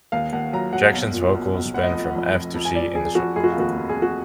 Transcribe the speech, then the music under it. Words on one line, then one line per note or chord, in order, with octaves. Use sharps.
Jackson's vocals span from F to C in the song.
D#2 F5
D#2 F#5
F#3 A#5
F#3 F#5
B1
A#2
B1
B1
F1 F#5
D#5
F3
F#5
F2
F3
F2
G#5
F2 D5
F2 G#4
G#4
F2 F#4
F1 G#4
F#4
F4
D#2 F#4
F1
G#4
F1
F#4